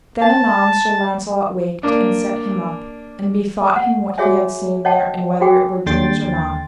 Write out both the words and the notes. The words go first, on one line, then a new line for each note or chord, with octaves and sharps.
THEN anon Sir Launcelot waked, and set him up, and bethought him what he had seen there, and whether it were dreams or not.
A5
A#3 D4
F#5
F#4 G#4 C#5 E5 G#5
C#5 D#5 F#5 G5 A5
F#4 G#4 G5 G#5
D#2 D3 G5 C6 A6